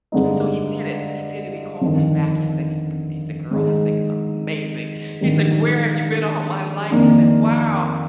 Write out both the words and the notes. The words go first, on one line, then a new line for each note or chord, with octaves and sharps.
So he did it. He did it, he called me back, he said g c he said, "Girl, this thing is amazing." He's like, "Where have you been all my life?" He said, "Wow."
G2 D3 G#3 D#4
G1 F2 D#3
G#2 D#3 G#3 D#4
A#1 G#2 D#3 G3
F2 D#3 A#3 D4